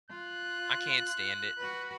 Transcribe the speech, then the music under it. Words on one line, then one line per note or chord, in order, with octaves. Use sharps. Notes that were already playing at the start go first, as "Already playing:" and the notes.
I can't stand it.
F4 F#6
F#4 B4